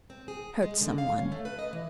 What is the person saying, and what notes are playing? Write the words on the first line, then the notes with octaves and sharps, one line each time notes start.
Hurt someone.
C4
G#4
G#3
D3
F5
C#4
A3
B4
D#5
E3